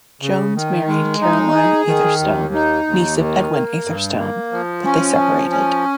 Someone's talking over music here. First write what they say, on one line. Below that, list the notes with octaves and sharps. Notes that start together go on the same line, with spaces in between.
Jones married Caroline Atherstone, niece of Edwin Atherstone, but they separated.
C#3
D#3
G#3
D#4
G#4
D#3
D#2
D#4
D#2
D#3
A#3
G2
A#3
F3
C#4
F3
C#4